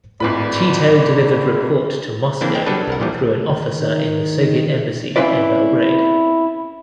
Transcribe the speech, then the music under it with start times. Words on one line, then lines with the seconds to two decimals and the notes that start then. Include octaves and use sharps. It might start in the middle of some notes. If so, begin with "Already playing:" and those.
Tito delivered report to Moscow through an officer in the Soviet Embassy in Belgrade.
0.20 G#1 A2 B4 D5 B5
2.41 E3 A#3 C4 D4 E4
2.54 G#3 C4 G5
2.66 F#3 G3 D4 A4 B4
2.88 C2 A#4 F#5
3.00 A#2 E3 F3 G3
3.50 D#3
5.16 C4 C#4 E4 F4 B4 D5